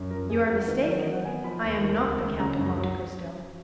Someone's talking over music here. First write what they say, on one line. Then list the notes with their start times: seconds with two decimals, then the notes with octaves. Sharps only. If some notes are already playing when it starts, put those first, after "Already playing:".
"You are mistaken--I am not the Count of Monte Cristo."
Already playing: F#2
0.10 F3 A#4
0.29 F2 G#4
0.48 F#3 A#4
0.67 D#3 B4
0.87 F#3 C#5
0.99 D#5
1.06 F#3
1.12 F#5
1.25 B3 G#5
1.44 F3 B5
1.63 D#2 C#6
1.82 D#3
2.01 C#2
2.20 C#2
2.39 C#3 A#5
2.59 F#2
2.78 F#3